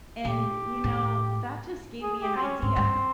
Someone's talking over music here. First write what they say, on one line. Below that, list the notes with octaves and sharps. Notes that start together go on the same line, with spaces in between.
and you know, that just gave me an idea,
A#2 G4
A2
G#4
G4
C4
C#4
G#2 C4
G2